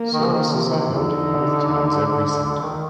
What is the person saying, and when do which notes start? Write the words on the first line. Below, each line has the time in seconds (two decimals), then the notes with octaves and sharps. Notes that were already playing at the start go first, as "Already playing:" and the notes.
Services are held in both towns every Sunday.
Already playing: A#3
0.13 D#3
0.25 F3
0.34 D#3
0.54 C3
0.75 C3
0.95 D3 D#4
2.62 D#3